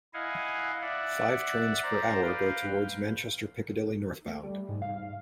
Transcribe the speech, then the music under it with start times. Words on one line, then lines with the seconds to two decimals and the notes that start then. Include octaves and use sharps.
Five trains per hour go towards Manchester Piccadilly northbound.
0.14 E4 D#5 F5 F#5 G#5
0.82 D5 E5 F#5
1.83 C5 D5 A#5
2.22 B4 F5 G5
4.26 A3
4.43 G3
4.69 G#2
4.82 F5